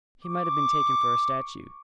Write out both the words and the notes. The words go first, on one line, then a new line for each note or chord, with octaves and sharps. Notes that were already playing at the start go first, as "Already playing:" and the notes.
He might have been taken for a statue.
C#6 D6